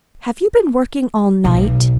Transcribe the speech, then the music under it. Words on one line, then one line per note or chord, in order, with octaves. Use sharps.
Have you been working all night?
B1